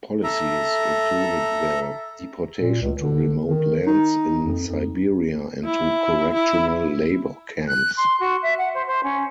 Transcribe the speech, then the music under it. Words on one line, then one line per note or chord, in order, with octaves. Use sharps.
Policies included their deportation to remote lands in Siberia and to correctional labour camps.
A4 E5 A#5
A#2
C#2
D3
D#3
D#4
F2
F2
E4
E4
F#6
C6
F#4
E5
F#5
C5
C5
C#4